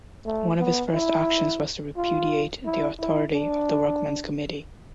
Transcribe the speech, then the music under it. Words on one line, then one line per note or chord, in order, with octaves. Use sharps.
One of his first actions was to repudiate the authority of the workmen's committee.
A3
B3
E4
F4
E4
E4
D4